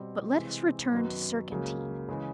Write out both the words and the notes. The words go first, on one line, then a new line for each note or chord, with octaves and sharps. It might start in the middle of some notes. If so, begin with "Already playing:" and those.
But let us return to Surcantine.
Already playing: B2 G3 C4
C3 E3 G#3 C4
F#2 D#3 F#3 B3
C#2 C#3 F#3 A#3
C#3 E3 G#3